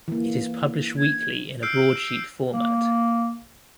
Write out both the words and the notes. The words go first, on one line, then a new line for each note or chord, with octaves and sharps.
It is published weekly in a broadsheet format.
E3 A#3
G#6
E6 F6 G6 C7 D7
A#3